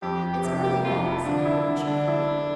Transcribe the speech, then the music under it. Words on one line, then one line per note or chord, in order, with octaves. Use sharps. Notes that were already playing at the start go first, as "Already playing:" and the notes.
"It's early yet," said Bertie cheerfully.
F2 G4
F3
G4
C3
A#3 G4
F2 F4
F3 E4
D3 D4
E4
D3
D3 D4
E4
E4